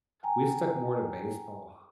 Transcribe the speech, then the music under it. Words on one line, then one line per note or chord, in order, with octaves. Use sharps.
we stuck more to baseball;
G5 G#5 A#5